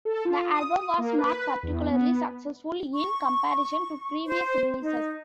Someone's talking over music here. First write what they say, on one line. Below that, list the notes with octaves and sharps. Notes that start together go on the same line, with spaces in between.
The album was not particularly successful in comparison to previous releases.
A4
F4
D#6
A#3
B4
E2
B3
C#6
C5
D#4